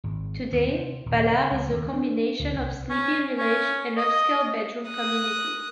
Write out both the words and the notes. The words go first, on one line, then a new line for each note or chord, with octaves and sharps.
Today, Ballard is a combination of sleepy village and upscale bedroom community.
G#1
D#2
C3
D#1
C#3
C#2
D#2
D4
D2
C2
C#4
C#4
D#5
A#4 D#6 F#6